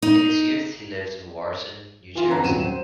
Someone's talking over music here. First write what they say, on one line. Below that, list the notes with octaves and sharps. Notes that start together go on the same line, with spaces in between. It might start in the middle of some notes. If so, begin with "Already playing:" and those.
In his youth he lived in Wharton, New Jersey.
D#4
E3 F4
D3 C4 B4 A#5
D#1 F#3 D#7 E7
C5